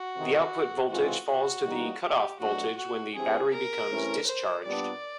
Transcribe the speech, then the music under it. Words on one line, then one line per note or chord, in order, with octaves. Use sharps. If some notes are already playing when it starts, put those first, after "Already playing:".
The output voltage falls to the cutoff voltage when the battery becomes "discharged".
Already playing: F#4
F2 C3 D#3
E3 G#3 C4 F4 F#4
F#4
E3 G3 A#3 D#4
G4
E2 B2 F#3 A3 D4 F#4
F#4
G2 E3 G3 C4 G#4
A#4
C3 E3 A3 C#4 E4
C5
A#2 G3 B3 D4 D5